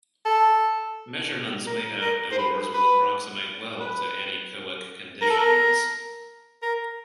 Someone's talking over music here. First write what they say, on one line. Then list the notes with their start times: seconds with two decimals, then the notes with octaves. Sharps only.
Measurements made outdoors will approximate well to anechoic conditions.
0.25 A4
1.66 A#4
2.01 A#4
2.32 C5
2.38 B4
2.74 B4
3.80 B4
5.21 A#4
5.30 A4
5.38 A#4
6.62 A#4